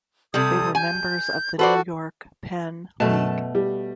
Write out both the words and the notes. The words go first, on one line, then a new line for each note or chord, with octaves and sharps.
They were members of the New York-Penn League.
C3 G3 A4 D#6 G#6
G#5 G6
F#4 A4 B4 C5 D5
F#2 B2 A3 A5
G3